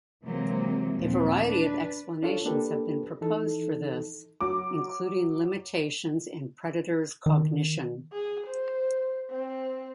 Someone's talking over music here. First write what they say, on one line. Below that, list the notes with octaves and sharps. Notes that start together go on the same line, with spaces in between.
A variety of explanations have been proposed for this, including limitations in predators' cognition.
C3 E3 F#3 G#3 A#3 C4
D#2 A#2 F3 C4
D4 B4
D4 F4 A4 C#5
A#3 D4 G4 A4 B4
E3 D#4 A4
F#3 D6
D#3
G#4
C5
C4